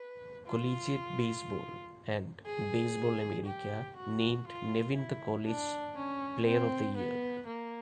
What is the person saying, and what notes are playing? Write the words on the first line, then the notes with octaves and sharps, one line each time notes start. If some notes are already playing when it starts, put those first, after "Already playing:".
"Collegiate Baseball" and "Baseball America" named Nevin the College Player of the Year.
Already playing: B4
F4
G#4
G4
F#4
F4
E4
D4
C#4
C4
B3
A#3